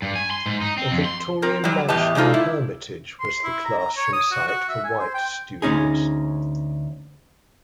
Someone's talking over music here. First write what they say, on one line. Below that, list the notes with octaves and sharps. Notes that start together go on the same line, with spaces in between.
A Victorian mansion in Hermitage was the classroom site for white students.
G2
G#5
C6
G#2
D#4
C4
F2
C6
C4 A#4
F#3 G3
E2 A2 G4 D#5 A5
G#3 D4 D#4 F4 A4
E4
C6
E4
A#5
A#5
C#5
D#6
F#4
F#4
E5
G#5
C5
G5
D2 G2 C#4 D#4 G#4